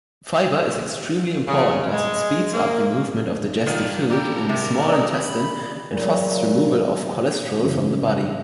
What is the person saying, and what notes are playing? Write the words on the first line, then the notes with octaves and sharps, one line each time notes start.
Fiber is extremely important, as it speeds up the movement of digested food in the small intestine and fosters removal of cholesterol from the body.
C#3
G#3
A#3
G2 D#3 D4 F4
G4 A4 A#4 D5
C3 G3
D5 D#5
B5
A#2 C#3 F#3
F#2 C#3 E3